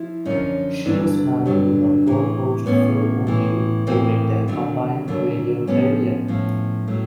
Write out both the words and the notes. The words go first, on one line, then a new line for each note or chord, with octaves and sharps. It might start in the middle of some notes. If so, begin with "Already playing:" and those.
She was married to her co host Phil O'Neil during their combined radio career.
Already playing: F3 E4
F#2 D3 F3 C#4 D#4
G2 D3 F#3 C4 D4
G2 D3 F#3
A2 E3
A2 E3 B3 C#4
A2 E3
A2 E3 A#3 C4
D#2 D3 F#3
D#2 D3 F#3
A2 F3 B3 C#4
A2 F3
A2 F#3